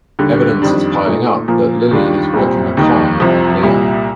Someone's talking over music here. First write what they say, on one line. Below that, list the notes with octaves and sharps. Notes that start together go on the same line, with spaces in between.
Evidence is piling up that Lily is working a con on Leo.
D#2 D3 G3
F2 D#3 G3 D4
A#2 A3 D#4
A#2 F3 A#3
D#2 D#3 G3 D4 F4
C2 A#2 G3 C4
D#2 D#3 G3 A#3 D#4
C2 C3 F3
C2 A#2 G3